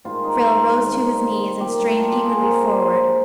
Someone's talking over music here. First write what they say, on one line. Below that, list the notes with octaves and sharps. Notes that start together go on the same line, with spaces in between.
Frale rose to his knees and strained eagerly forward.
G#2 G3 A#3 F4
D#4
F4
C3 D#3 G3
A#2 G3 A#3 G4
D4
F4
G4
G#4
C3 F3 G#3 A#4
C5
C5